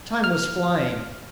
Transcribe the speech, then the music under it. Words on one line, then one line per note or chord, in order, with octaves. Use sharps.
Time was flying.
F6